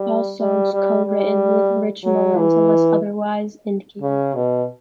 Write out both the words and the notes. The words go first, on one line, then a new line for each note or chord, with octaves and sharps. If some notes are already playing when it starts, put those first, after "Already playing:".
All songs co-written with Rich Mullins unless otherwise indicated.
Already playing: G3
G3
G3
G3
F#3
E3
C#3
B2